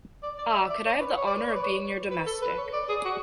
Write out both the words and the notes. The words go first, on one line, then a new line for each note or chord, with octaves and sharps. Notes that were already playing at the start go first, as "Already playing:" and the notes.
Ah, could I have the honour of being your domestic!
D5
D5
E5
D5
C#5
B4
C#5
D5
B4
C#5
B4
C#5
B4
A4
B4
C#5
D5
G#4
F#4